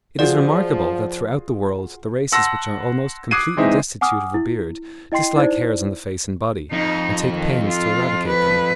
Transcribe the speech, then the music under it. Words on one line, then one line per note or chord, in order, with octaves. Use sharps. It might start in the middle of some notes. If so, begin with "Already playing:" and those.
It is remarkable that throughout the world the races which are almost completely destitute of a beard dislike hairs on the face and body, and take pains to eradicate them.
F3 F4 F#4 G#4 D5
F#5 A5 C6 E6 A#6
D6 D#6 F#6 G#6 C7 D#7
E3 G#3 C4 D#4 D#5 E5
F#5 G#5 D6 D#6 F6
E4
E4 D#5 G5 C6 C7
D#4 E4 C5 D5
F2 D#4
D#3
F4
B4